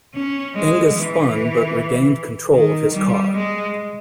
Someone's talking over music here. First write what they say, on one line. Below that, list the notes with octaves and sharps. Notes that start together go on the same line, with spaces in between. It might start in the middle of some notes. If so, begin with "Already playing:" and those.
Enge spun but regained control of his car.
C#4
G#3
E3
D#3
G3
G#3